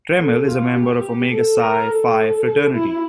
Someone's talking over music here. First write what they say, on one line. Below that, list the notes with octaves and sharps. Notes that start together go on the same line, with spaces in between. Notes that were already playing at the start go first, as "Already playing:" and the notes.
Trammell is a member of Omega Psi Phi fraternity.
A4
F4
G4
A4
A#4
A4
E4